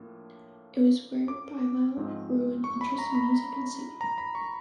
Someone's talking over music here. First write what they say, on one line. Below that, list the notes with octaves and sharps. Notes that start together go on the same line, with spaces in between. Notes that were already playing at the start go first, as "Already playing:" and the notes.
It was where Bilal grew an interest in music and singing.
Already playing: A2 F3 A#3 D4
D6
G#2 F3 G#3 C4
C#6
B5
A#5
B5
A#5
B5
C#6